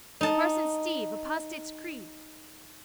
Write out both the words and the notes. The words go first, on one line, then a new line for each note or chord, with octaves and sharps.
Parson Steve, apostates' creed!
D#4 A5